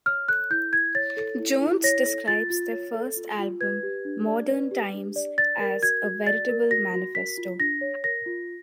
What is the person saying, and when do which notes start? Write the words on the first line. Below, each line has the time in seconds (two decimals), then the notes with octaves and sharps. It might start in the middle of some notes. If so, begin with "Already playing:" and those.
Jones describes their first album "Modern Times" as "a veritable manifesto".
0.06 C#5 F6
0.28 A4 F#6
0.50 E4 G6
0.73 E4 G#6
0.95 C#5 A6
1.17 A4
1.39 E4
1.61 E4
1.84 C#5 A#6
2.06 A4
2.28 F4 A6
2.50 F4
2.72 C#5
2.94 A4
3.17 F4
3.39 F4
3.61 B4 G#6
3.83 G4
4.05 D4
4.27 D5
4.49 B4
4.71 G4
4.94 D4
5.16 D5
5.38 D5 A6
5.61 A#4
5.82 F#4 G#6
6.04 F#4
6.27 D5 A6
6.49 A#4
6.71 F#4 A#6
6.93 F#4
7.15 A#4 B6
7.38 F4
7.60 D4 A#6
7.81 C#5
8.04 A#4 A#6
8.26 F4